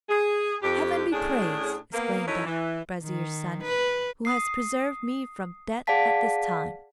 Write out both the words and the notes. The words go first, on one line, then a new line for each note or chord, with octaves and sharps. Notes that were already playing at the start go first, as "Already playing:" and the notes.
"Heaven be praised," exclaimed the vizier's son, "who has preserved me from death at this time!"
G#4
F2 G4
A2 C#4 D4 G#4
A#3 B3
F#2 C#4 D#4 E4 A4 E5
E3
D#3
B4
D#6 C7
G#4 D5 F5 F#5 A5 B6